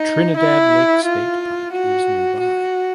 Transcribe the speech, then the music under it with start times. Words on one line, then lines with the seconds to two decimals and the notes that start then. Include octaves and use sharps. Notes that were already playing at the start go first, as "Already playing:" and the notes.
Trinidad Lake State Park is nearby.
Already playing: D#4
0.37 E4
1.05 F4
1.72 F#4
2.41 F#4